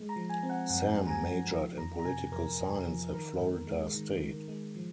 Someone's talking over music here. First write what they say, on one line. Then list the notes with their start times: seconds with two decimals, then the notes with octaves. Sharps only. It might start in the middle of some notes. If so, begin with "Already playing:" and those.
Sam majored in political science at Florida State.
Already playing: G#3
0.09 A#5
0.16 F3
0.29 G#5
0.43 C4
0.49 F#5
0.70 F#2 F#5
0.97 G#3
1.07 A#5
1.10 G#5
1.24 F3
1.51 F3 A#5
1.78 F2 A#5
1.99 A#5
2.05 C3 G#5
2.32 F2 A#4
2.59 F2
2.86 F3
3.13 D#3 A#4
3.40 G#2
3.67 G#3
3.94 D#3
4.21 D#3
4.48 G#3
4.75 F3